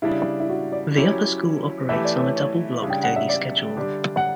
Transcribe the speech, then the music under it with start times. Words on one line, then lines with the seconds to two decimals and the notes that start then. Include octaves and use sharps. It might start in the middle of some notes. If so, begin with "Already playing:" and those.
The Upper School operates on a double block daily schedule.
0.02 C#3 G3 D4 E4
0.40 E4
0.49 F#4
0.72 D5
0.96 F#3 C#4 E4 G4
1.89 E3 A3 E4 G4 E5
2.05 D5
2.16 B4
2.20 C#5
2.36 C#5
2.82 C#3 G3 D4
2.90 G5
3.04 F#5
3.16 E5
3.29 D5
3.77 D3 G3 D4 G4
4.17 F#5